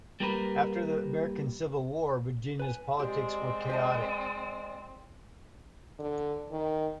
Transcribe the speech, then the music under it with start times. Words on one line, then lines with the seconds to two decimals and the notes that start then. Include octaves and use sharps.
After the American Civil War, Virginia's politics were chaotic.
0.20 G3 A#3 G4 A#4 B4
2.59 B4 G#5
3.00 G#3 C4 G4 D5
3.70 C5 D#5 A5
5.99 D3
6.51 D#3